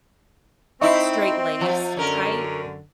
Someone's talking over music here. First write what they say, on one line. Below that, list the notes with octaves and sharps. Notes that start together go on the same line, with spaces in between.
straight-laced type,
C4 D#4 E4 D#5 E5 C#6
F3
F#2 D3 C#4 A#4